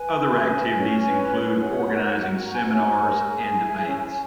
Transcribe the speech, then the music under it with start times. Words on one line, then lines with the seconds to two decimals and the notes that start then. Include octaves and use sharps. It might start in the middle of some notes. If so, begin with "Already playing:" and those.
Other activities include organizing seminars and debates.
Already playing: B4 G#5
0.19 G#4
0.47 C#4
0.75 C#4
1.03 B4
1.31 G#4
1.60 C#5 F#5
1.88 A#4
2.16 F#4
2.44 F#4 A#5
2.53 G#5
2.63 F#5
2.72 C#5 G#5
3.01 A#4
3.29 G#4
3.56 E4
3.85 C#4